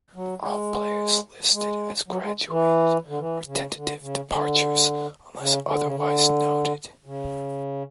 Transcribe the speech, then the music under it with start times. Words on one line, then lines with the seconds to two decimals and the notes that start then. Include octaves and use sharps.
All players listed as "graduated" are tentative departures unless otherwise noted.
0.15 F#3
0.42 G#3
1.53 G#3
2.08 F#3
2.22 G#3
2.49 E3
3.08 D3
3.19 E3
3.47 C#3
3.74 D3
4.02 C#3
4.29 D3
5.39 C#3
5.68 D3
5.84 C#3
5.95 D3
7.06 C#3